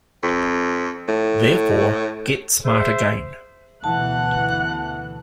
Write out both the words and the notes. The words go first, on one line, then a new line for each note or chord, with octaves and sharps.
Therefore, Get Smart Again!
F2
A2
G#4 C5 E5
D2 B2 E3 F#5 A5 F#6